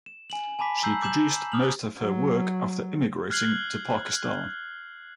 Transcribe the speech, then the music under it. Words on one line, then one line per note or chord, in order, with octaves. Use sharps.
She produced most of her work after immigrating to Pakistan.
E7
G#5 F#7
G#5 A5 B5 D6 B6
A#5 E6 G6 C7 F#7
D6 G6 E7 F#7
D6 D#6 F6 F7 F#7
F#3
F6 F#6 G#6 C7 F#7 G7